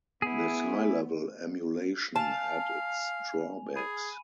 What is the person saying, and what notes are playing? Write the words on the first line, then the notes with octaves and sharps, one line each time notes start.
This high-level emulation had its drawbacks.
B3 E4 G#4
F5 G#5 A5 F7
G#4 B5 D#7